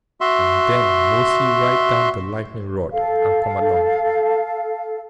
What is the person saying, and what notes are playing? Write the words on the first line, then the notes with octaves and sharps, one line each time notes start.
And then mosey right down the lightning-rod and come along.
F#4 E5 C6
A4 F5